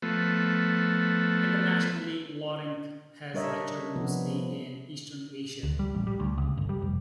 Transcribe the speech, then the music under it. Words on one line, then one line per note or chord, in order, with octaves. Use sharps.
Internationally, Lorenc has lectured mostly in Eastern Asia.
F3 A3 B3
G3 D4 A#4 C#5 D#5 E5
C3 F3 B3
D2
G3
A1
G3
D2
C#2
G1
G3
F1